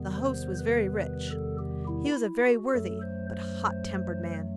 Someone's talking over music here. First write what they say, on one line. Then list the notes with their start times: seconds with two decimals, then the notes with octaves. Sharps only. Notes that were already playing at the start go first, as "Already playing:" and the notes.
The host was very rich. He was a very worthy but hot-tempered man.
Already playing: E2 C3 D#3 G3 B3
0.16 C5
0.59 B4
1.02 B4
1.31 A4
1.59 G4
1.88 E4
2.16 E4
2.45 F#4
2.73 F#2 F#3 A3 A4
3.01 C5
3.30 C5